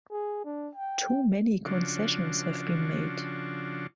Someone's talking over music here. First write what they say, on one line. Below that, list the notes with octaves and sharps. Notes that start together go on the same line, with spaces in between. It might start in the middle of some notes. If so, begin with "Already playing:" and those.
Too many concessions have been made!
G#4
D4
G5
C#3 F3 D4 F#4